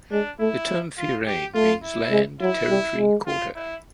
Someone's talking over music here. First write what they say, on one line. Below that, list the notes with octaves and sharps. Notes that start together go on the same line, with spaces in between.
The term "fearainn" means "land, territory, quarter".
G#3 D4
A3 E4
F4
G4
A3 F4
E4
G#3
F#3 E4
G3
G#3
F4
E4